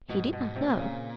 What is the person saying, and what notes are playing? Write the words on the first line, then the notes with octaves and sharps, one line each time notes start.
He did not know.
G#2 B2
G2
B2
G#2
C3
A#2
C#3